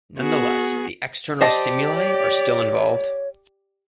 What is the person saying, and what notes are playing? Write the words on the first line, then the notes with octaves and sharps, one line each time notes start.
Nonetheless, the external stimuli are still involved.
B3 F#4 G#4
G4 C5 D5 D#5 A5
C#5